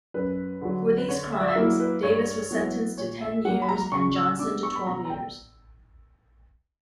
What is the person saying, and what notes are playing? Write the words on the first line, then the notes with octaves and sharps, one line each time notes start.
For these crimes, Davis was sentenced to ten years and Johnson to twelve years.
F#2 B4
D3 F#3
B4
D3 C#5
E5
D5
E5
F#3 A#3 E4 A#4
B4
G2 C#5
F#3 B3 E4
A#2 C#5
E5
F#3 A#3 F#5
B5
A#5
C#3 C#6
E6
G3 B3 D4 D6
C#6
B5
B2 A#5
A#5
G5